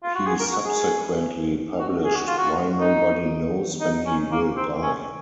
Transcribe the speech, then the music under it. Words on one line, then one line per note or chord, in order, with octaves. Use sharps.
He subsequently published "Why Nobody Knows When He Will Die".
F4
F#4
G#4
A#4
F#4
G#4
F#4
G#4
F#4
F4
F#4
D#4
D#4
C#4
A#3
C4
C#4